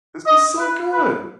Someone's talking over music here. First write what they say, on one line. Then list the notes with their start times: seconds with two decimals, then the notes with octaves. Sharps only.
this was so good.
0.26 D#5
0.58 B4
0.91 B4